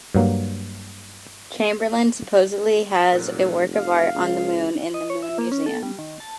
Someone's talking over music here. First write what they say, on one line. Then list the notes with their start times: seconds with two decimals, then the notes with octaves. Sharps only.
Chamberlain supposedly has a work of art on the moon in the Moon Museum.
0.15 G2 F#3 A#3
3.12 F1 A#2 F#3
3.75 F5
4.14 C#2
4.94 D#5
5.10 C#5
5.22 E5
5.38 A#3
5.52 C#4
5.66 A4
5.83 G3
5.99 D#3
6.20 A5